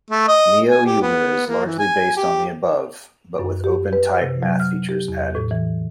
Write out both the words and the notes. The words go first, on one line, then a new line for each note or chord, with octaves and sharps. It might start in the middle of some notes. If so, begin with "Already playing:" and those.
Neo Euler is largely based on the above, but with OpenType math features added.
A3
D#5
G#5
G4
B3
A#3
E3
G#5
G4
F#2
G4
B4
C3
F#3
F6
G4
E2
A2
E3